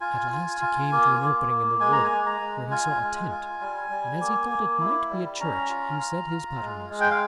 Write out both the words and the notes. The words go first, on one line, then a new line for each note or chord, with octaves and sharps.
At last he came to an opening in the wood where he saw a tent, and as he thought it might be a church he said his pater-noster to it.
F4 G#5
F4
F4
A#3
A#3
A#3
G#3 G#5
A#5
G#5
G#3
A#5
G#3
F4 G#5
G#3
F4
G3
G3
A#3
A#3
E4
G3
C#4 A#5
F4
F4
F4
G#3
G#3
G5
F5